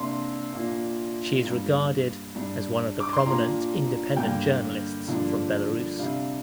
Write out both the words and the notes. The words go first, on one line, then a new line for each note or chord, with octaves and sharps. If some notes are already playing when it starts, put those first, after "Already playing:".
She is regarded as one of the prominent independent journalists from Belarus.
Already playing: C3 A#3 D4 C6
A#2 A#3 D4
G2 G3 A#3
G2 G3 D4
D6
C6
A#2 A#3 D4 A#5
G2 D3 A#3 G5
G2 D3 F3 A#3 D4
C3 G3 D4 F5